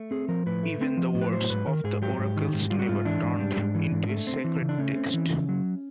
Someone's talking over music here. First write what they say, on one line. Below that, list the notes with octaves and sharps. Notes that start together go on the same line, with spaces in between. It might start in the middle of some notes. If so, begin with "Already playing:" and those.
Even the words of the oracles never turned into a sacred text.
Already playing: A3
C4 G#4
F3 A#4
A2 B4
A3
C4
F3
A2
B4
F#3 C5
G#2 B4
D#3 A#4
G#2 G#4
F#3 G4
G#2
D#3
G#2
G3 F4
F#4
G#2 F4
E3 D4
G#2
G3
G#2
E3
G#2
A3
C4
E3
C#3
D4
A3 C#4
C4
E3
C#3
F#3